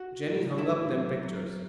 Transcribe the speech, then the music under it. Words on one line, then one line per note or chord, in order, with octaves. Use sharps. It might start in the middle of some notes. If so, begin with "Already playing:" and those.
Jenny hung up them pictures.
Already playing: F#4 F#5
A2
A2 E4 E5
F#3
F#3